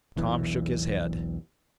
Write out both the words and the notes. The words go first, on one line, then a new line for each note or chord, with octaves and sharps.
Tom shook his head.
B1 E2 E3